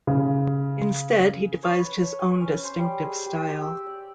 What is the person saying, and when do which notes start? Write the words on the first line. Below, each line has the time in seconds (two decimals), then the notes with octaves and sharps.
Instead he devised his own distinctive style.
0.07 C#3
1.63 C#5
1.79 B4
1.97 A5
2.20 G#5
2.41 C#4
2.64 C5
2.79 G3
3.05 G#4
3.26 G4
3.48 G4
3.61 E6
3.86 D5